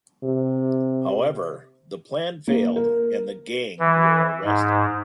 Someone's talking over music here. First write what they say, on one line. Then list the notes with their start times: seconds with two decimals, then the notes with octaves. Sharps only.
However, the plan failed, and the gang were arrested.
0.22 C3
2.48 A#3
2.76 A#4
3.79 E3
4.44 G#2